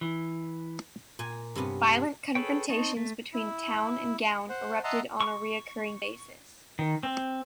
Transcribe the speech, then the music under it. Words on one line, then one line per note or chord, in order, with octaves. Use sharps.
Violent confrontations between town and gown erupted on a recurring basis.
E3
A#2 G#5
G2 C3 B3 C#4
G#4 A4 B4 C#5 G5
C4 D#4 A5 C#6
A3
E4
C5 F#5
D#5 E5 F#5 A5 A#5 C6
C#6
D#3
C4